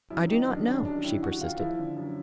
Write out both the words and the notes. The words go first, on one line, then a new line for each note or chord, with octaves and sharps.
"I do not know," she persisted.
F#2 E4
D#3 D#4
F#2 D4
D#3 D4
F#2 D4
D#3 E4
F#2 F#4
D#3 F4
F3 E4
D3
F#2